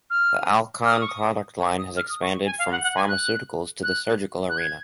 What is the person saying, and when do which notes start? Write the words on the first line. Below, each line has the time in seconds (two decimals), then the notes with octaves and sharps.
The Alcon product line has expanded from pharmaceuticals to the surgical arena.
0.10 F6
0.85 F6
0.93 D#6
1.01 C#6
1.09 D#6
1.60 C#6
1.78 D#6
1.97 F6
2.10 D#6
2.22 C#6
2.46 G#5
2.59 F5
2.71 F#5
2.83 F#5
2.96 G#5
3.08 F#6
3.83 F#6
4.49 F#6
4.58 G#6